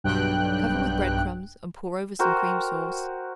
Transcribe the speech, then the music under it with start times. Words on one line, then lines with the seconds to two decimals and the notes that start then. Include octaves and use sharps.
Cover with bread-crumbs and pour over some cream sauce.
0.04 B1 G2 G5 F#6
2.19 F#4 A#4 C5 G5